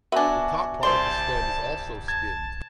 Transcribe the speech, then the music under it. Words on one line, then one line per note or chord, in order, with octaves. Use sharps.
The top part of the stem is also skinned.
B3 D4 F#4 E5 G#5
C2 C5 D5 A5 C6
A5 G#6